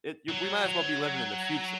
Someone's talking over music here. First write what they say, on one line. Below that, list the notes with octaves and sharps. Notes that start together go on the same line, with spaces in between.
it you We might as well be living in the future
F#3
F#3